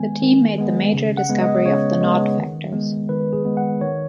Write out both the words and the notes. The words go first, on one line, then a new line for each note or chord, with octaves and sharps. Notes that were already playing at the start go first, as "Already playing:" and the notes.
The team made the major discovery of the Nod factors.
Already playing: D#3 G#3 B3 G#5
D#3
G#3 B3
C#3
F#5
G#3 B3
D#5
C#3 C#5
G#3 B3
D#3
G#3 B3
D#3 B4
G#4
G#3 B3
F#5
D#3 C#5